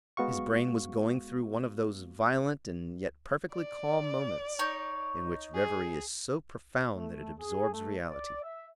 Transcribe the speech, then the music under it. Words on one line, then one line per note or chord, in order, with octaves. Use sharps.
His brain was going through one of those violent and yet perfectly calm moments in which revery is so profound that it absorbs reality.
G#3 B3 F#4 F5 C#6
D5
D#4 C#5
G#4
A3
G#4
A3
D5
E5